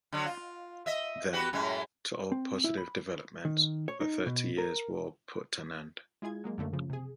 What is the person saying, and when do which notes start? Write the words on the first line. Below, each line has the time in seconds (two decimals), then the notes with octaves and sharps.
Then, to all positive developments the Thirty Years' War put an end.
0.12 D3 F#3
0.25 F4
0.86 D#5 E5
1.33 F#4 G4 B4
1.53 F#2 A2 G#3
2.32 C4
2.64 E4
2.77 B5
3.45 D#3
3.88 C#5
4.01 D#4
4.26 B2
4.58 A#4
6.22 G#3 E4 F4 G#4 G#6
6.44 F#3 G#3 A#3
6.58 F#2 D3 A3 A#3
6.73 C#3 F3
6.90 C3 G#4